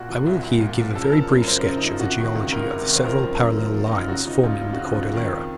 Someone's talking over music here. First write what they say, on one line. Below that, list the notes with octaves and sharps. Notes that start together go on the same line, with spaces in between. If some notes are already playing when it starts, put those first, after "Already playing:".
I will here give a very brief sketch of the geology of the several parallel lines forming the Cordillera.
Already playing: A#2 F#4
F3
C2
C2
A#2
F3
C#3 A4
A#4
F3 A4
F#2
A#4
F#2 C5
C#3
D#4
F3
F4
C3 F#4
D#3
C#2
C#2 A#4
C3
D#3
C5
F3 A#4
F#2
F#2
F3
F3
F#2 D#4
F4
C#3 F#4
F3 D#4
C#2 F4
C#2 F4
C#3 F#4
F4
F3
D#3
F2